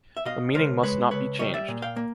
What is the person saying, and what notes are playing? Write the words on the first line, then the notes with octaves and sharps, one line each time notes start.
The meaning must not be changed.
E5
B2 D#5 F5
C#2 A#4 C5
G#3 B4 C#5
C#2 B4 C#5
G3 C#5 D#5
D5 E5
A#2
F5 G5
A#3